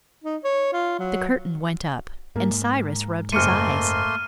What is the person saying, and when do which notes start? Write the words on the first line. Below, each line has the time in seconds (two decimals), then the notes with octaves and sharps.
The curtain went up and Cyrus rubbed his eyes.
0.24 D#4
0.44 C#5
0.73 F4
0.99 F#3
2.36 G#2 A#3
3.32 F#1 A3 A#3 C6 F6 C#7 D#7